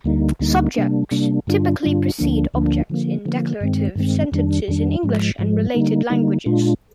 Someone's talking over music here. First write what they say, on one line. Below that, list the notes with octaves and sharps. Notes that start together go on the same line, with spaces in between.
Subjects typically precede objects in declarative sentences in English and related languages.
D2 D3 G3 A#3 D#4
D2 D3 G3 A#3 D#4
C3 G3 A#3 D4
C3 G3 A#3 D4
G2 D3 G3 D4 F4
G2 D3 G3 D4 F4
D2 D3 F3 A#3 D4
D2 D3 F3 A#3 D4
D3 F3 A#3
D3 F3 A#3
G2 D#3 G#3 C4
G2 D#3 G#3 C4
F2 D#3 G3 D4
F2 D#3 G3 D4
G#2 F3 G#3
G#2 F3 G#3
D3 G3 A#3 D#4
D3 G3 A#3 D#4
A#2 G#3 D4 F4